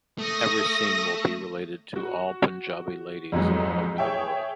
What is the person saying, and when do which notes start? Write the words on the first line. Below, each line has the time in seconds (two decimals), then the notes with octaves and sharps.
Every scene will be related to all Punjabi ladies all over the world.
0.18 A3 D#6 A#6
1.96 F#4
3.32 F2 G#2 E3 F#3
3.98 G#4 C#5 E5 G5